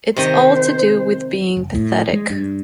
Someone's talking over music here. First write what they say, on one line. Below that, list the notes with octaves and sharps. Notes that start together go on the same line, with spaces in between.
It's all to do with being pathetic.
C3 D#3 C5 D#5
F#1
A2
G#3
G2